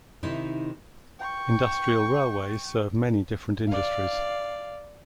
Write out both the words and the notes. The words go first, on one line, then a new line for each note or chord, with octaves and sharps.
Industrial railways serve many different industries.
C3 D#3 C4 D#4 E4
G5 C#6
D5 F5